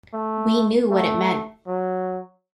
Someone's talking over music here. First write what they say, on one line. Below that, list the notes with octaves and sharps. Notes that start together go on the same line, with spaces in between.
We knew what it meant.
A3
A3
F#3